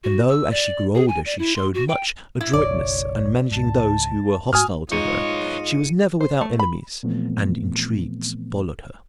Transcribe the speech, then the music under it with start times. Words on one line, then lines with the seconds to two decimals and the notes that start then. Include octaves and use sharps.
And though, as she grew older, she showed much adroitness in managing those who were hostile to her, she was never without enemies, and intrigues followed her.
0.04 F#4
0.29 E6
0.51 D5
0.95 G#4
1.08 G#5
1.26 D5
1.38 E4
1.56 C6
1.74 F#4
1.88 G5
2.41 E4
2.53 F#1 B1 C#5 D5
3.51 C#2 G#2 A5
4.53 G#2 A3 F#4 G#5 D#6 F6
4.92 G#2 F4 B4 C#5 D#5 C#7 D#7
6.21 C5
6.41 A3
6.59 B5
7.03 A#2 E3 F3 A3 B3 C4